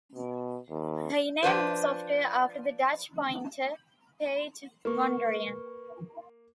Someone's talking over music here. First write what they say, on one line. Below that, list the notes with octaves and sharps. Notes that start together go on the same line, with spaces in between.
He named the software after the Dutch painter Piet Mondrian.
B2
D#2
F3 D4 B4 C5
A#3 B4 C#6